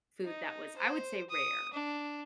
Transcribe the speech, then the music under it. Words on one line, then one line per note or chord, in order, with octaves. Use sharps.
food that was, I would say, rare.
D#4
C5
D#6
D4